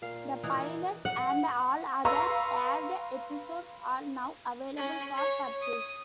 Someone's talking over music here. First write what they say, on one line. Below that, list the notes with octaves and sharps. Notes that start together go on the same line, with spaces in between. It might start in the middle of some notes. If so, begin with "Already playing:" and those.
The pilot and all other aired episodes are now available for purchase.
A#2 F5
E3 D4 D#4
F#5
B4 F5 A#5 C6 C#6 E6
C#4
C#5
D#6